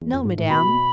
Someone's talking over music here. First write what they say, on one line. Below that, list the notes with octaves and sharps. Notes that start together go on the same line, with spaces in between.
"No, Madame."
E2
F2
G#2
A2
B2 B5